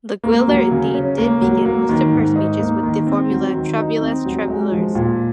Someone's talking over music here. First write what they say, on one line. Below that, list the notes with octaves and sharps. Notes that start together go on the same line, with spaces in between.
Laguiller indeed did begin most of her speeches with the formula, "Travailleuses, travailleurs!".
A#3
F#3
C#3
C#4
A#3
F#3
A#3
D#3
G#2
D#4
A#3
D#3
C4
F#3
D#3
D#4
C4
F#3
G#3
F3
A#2